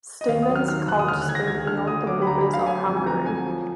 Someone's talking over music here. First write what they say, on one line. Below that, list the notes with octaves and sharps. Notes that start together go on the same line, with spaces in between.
Stephen's cult spread beyond the borders of Hungary.
D#5
D#2 F5
D#6
F#3
F6
D#3 F6
D#2 F#6
D#6
D2 F6
F#6
D2 G#6
A#6
D2 G#6
D3 F6
D2 D#6
F#3 D6
B5
D2 A#5
B5
D2
F5
F#3 G#5
F2 G#5
G#5
F2 A#5
F2 G#5
F3